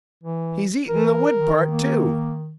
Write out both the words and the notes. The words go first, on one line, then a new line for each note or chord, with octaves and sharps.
He's eatin' the wood part, too!
E3
E3 A#4
D#3
A#3